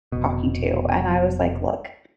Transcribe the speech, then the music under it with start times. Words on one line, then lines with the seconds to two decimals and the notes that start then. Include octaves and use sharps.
talking to, and I was like, "Look,
0.12 F1 B2